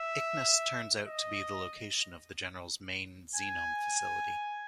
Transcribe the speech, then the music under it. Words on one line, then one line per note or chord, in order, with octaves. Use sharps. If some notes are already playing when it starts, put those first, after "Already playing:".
Icnus turns out to be the location of the General's main Xenome facility.
Already playing: E5
D#5
G#5